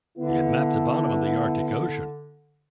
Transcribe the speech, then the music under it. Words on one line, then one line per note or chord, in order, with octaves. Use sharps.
It mapped the bottom of the Arctic Ocean.
D3 B3 E4